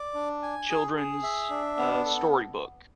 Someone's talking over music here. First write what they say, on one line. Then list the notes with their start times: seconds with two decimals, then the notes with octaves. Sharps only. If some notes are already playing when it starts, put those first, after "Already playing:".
children's, uh, storybook,
Already playing: D5
0.14 D4
0.42 G#5
0.70 G#4
0.96 G#4
1.23 E5
1.50 D4
1.78 B3
2.05 A4